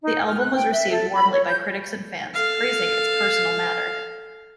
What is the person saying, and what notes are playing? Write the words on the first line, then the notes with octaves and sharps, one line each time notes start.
The album was received warmly by critics and fans, praising its personal matter.
D#4
F6
F#6
G5
E5
A4
B5
C#5
G6
A4 F5